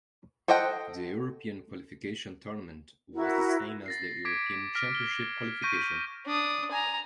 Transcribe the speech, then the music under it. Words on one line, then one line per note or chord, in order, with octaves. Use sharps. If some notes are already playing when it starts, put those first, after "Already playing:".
The European qualification tournament was the same as the European Championship Qualification.
A4 C5 D#5 F#5 G5
E4 F#4 A#4
A6 A#6 C7
D6 G#6 B6 D7
D6 F6 A#6 B6 D7
G7
C#6 G6 A#6 B6 D7 D#7
D4 D#6
G#5 A#5